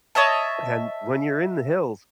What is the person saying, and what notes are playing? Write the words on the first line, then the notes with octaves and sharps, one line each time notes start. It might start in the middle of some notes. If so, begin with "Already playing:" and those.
and when you're in the hills,
C#5 D#5 E5 A5